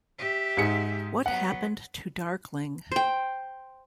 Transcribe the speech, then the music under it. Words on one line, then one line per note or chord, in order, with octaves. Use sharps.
What happened to Darkling?
G4 E5
G#2 G#4 C#7
F#3 B3 F#5
C5 G5